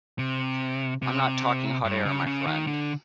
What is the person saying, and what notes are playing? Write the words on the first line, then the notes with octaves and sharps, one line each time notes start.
I’m not talking hot air, my friend.
C3
C3
G2
C#3
C#3
D#3
D3